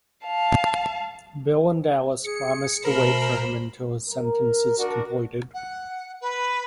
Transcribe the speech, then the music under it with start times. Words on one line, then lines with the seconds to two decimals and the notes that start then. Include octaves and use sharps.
Bill and Alice promise to wait for him until his sentence is completed.
0.25 F5 A5
2.24 G#4 C#7
2.85 B2 A3 A#4 C5 B5
4.09 A#4
4.77 D4 F#4 A#4
5.54 F#5
6.20 B4